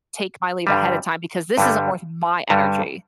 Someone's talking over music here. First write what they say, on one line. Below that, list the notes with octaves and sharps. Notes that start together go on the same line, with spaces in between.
take my leave ahead of time because this isn't worth my energy."
G2 D3 G3
G2 D3 G3
G2 D3 G3